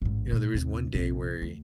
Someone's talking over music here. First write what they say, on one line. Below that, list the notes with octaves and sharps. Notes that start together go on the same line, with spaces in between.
you know, there was one day where he
A1 G#2
A#2 D3
D#2 C3
A#1 C3
D2